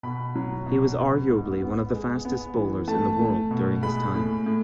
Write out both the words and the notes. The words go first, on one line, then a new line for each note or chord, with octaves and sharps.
He was arguably one of the fastest bowlers in the world during his time.
B2 B5
F#3
B2
B3
G#2
B3
G#3
B3
E3
A3 A5
A3
B2
G#3 B5
A2
A2